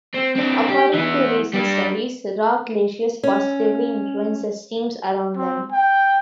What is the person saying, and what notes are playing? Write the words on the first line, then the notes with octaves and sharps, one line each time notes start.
According to recent studies, rock glaciers positively influence the streams around them.
C4
C4 D4
G4
E3 B3
G3 D4
C#4
C4
G5